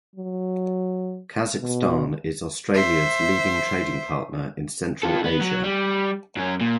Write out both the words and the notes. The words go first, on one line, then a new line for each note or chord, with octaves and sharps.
Kazakhstan is Australia’s leading trading partner in Central Asia.
F#3
B2
C5 E5
F4 A4
B3
F#3
G3
F#2 C#4
A#2